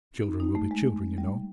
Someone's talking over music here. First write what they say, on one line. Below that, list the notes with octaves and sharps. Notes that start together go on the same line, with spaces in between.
Children will be children, you know.
D#4
D#4
A3
G#3
G3